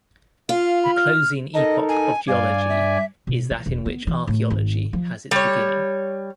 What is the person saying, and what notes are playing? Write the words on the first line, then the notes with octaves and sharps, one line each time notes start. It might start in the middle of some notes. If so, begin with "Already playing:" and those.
The closing epoch of geology is that in which archaeology has its beginning.
F4 F5
B5
F6
D#4 A4 A#4 D#5
G#5
G2 D5 F5 G#5
E5
B2
E3
E1
B3
E3
A2
G#1
F3
G3 C#5